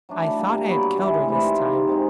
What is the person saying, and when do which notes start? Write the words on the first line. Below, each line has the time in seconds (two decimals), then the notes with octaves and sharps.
I thought I had killed her, this time.
0.09 F#3 A3 D4
0.24 E3
0.38 G3 A#3 D4
0.54 A#2
0.68 F#3 B3
0.84 G2
0.98 E3 G#3
1.14 A2
1.28 E3 G3 C4
1.43 D#3
1.58 G3 A#3
1.73 G#2
1.88 D#3 G#3 C4